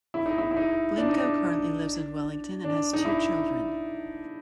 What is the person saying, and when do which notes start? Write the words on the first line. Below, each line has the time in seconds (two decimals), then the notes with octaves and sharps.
Blincoe currently lives in Wellington and has two children.
0.14 E4
0.26 D#4
0.38 E4
0.51 E4
0.57 D#4
0.98 D4
1.09 D#4
1.19 D4
2.64 D4
2.93 D#4
3.05 E4